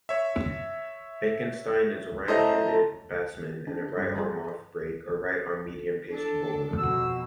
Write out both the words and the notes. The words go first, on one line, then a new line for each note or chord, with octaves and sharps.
Benkenstein is a right-handed batsman, and a right-arm off-break or right-arm medium paced bowler.
C#5 E5
A2 C5 D#5 A5 A#5
D4
G2
G#4
D4 A4
F2 B2 F#4 E6